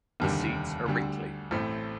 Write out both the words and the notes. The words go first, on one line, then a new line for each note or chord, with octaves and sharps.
The seeds are wrinkly.
F1 D#2 D3 G3
D2 D3 G3
A1 A2 A3 C4